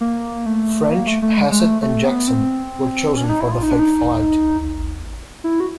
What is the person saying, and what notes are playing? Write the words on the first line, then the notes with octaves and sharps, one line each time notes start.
French, Hassett and Jackson were chosen for the fake flight.
A#3
A3
A#3
A3
A3
G#3
G#3
A3
A3
B3
C4
C#4
D4
D#4
E4
F4
D#4
D4
D#4
E4
F#4